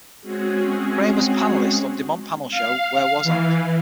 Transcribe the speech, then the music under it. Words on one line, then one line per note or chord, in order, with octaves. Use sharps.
Graham was a panelist on the DuMont panel show Where Was I?
G#3 C4 C#4 F#4 G#4
F5
E3